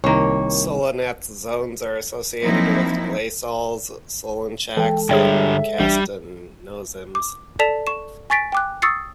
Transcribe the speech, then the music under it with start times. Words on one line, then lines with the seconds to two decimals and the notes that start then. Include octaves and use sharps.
Solonetz zones are associated with gleysols, solonchaks and kastanozems.
0.04 C2 D#3 A#3 C#5
2.42 F3 F#3 A#3 C4 D#4 E4
4.77 E3 G#3 A4 G5
5.09 G2 D3 G3 G#4 C#5 E5 G5
5.80 A1 G3 D4
7.15 D6
7.59 A4 D5 A5 B6 E7 F7
7.87 C#6 E7
8.30 G#5 C#6 A6 B6 D7
8.52 G5 D6 F#6
8.82 C#6 D#6 E6 A6 C7 C#7